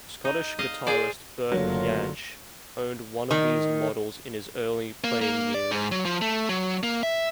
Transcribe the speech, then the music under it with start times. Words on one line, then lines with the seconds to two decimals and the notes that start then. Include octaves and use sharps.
Scottish guitarist Bert Jansch owned one of these models in his early playing years.
0.25 D#4
0.59 D#5 F5
0.87 G#4 C5 D5
1.52 F#1 D3 F#3 A3 A#3 F4
3.31 D#3
5.04 A#3
5.21 A#3
5.54 D5
5.71 G#2
5.92 F#3
6.05 F3
6.22 A3
6.49 F#3
6.83 A#3
7.03 E5